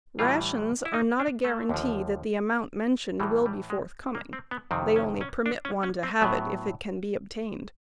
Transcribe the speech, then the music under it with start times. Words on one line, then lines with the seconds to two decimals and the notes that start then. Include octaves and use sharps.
Rations are not a guarantee that the amount mentioned will be forthcoming; they only permit one to have it if it can be obtained.
0.19 A2 E3 G3 F4
0.85 E4
0.94 D#4
1.20 D4
1.45 A3
1.69 D#2 D3 F3
3.20 A2 E3 G3 G#3
3.46 G3
3.70 G#3
4.15 A#3
4.33 C4
4.51 B3
4.71 F2 C3 D#3 C4
4.96 C#4
5.21 C#4
5.46 D4
5.65 C#4
5.83 C#4
6.03 C4
6.21 A2 F#3 B3